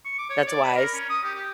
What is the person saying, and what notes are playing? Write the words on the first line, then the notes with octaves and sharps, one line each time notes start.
That's wise.
C#6
D6
C#5
D5
B5
A#4
C#4
D#6
G4
G4